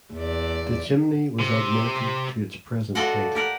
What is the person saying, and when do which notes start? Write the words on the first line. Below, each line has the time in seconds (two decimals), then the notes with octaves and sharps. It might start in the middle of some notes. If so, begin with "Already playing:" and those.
The chimney was augmented to its present height.
0.14 E2 D5
1.40 C3
2.95 F4 F#4 A4 D5 D#5 F#5
3.35 G4 A#4 F#5